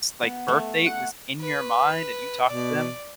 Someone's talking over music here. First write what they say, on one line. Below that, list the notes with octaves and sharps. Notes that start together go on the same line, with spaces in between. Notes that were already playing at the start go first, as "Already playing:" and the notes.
like, birthday was in your mind and you talked to them
B3
A3
F#5
B4
B2 D5